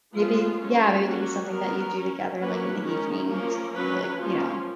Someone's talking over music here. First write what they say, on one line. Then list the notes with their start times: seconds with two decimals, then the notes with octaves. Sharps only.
maybe Yeah, maybe it could be something that you do together, like, in the evenings, like, you know,
0.14 F3 G#3 B3 F4
0.59 F#3 C#4
1.03 F#3 A#3 C#4 F#4
1.49 F#3 B3 A#4
1.95 F#3 C#4
2.39 F#3 A#3 C#4 B4
2.84 D#3 G#3 C#4 A#4
3.29 F3 A#3 C#4 A#4
3.74 F#3 C#4 B4
4.20 F3 A#3 C#4 F4